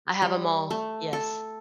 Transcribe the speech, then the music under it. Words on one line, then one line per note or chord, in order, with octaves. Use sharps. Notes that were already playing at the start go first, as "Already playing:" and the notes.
I have 'em all. Yes.
G3
A3
A4